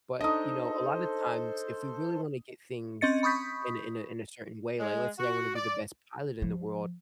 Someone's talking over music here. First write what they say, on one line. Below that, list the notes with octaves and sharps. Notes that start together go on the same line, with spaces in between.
but, you know, a lot of times if we really wanna get things in a in a in a certain way, like let's say I wanna be the best pilot in the world,
D4 D#4 A4 C5 D#5 D#6
C4 C#4 D#5 A6 C#7
B5 C#6 D#6 G6 B6
G#3
F#4
D5
F3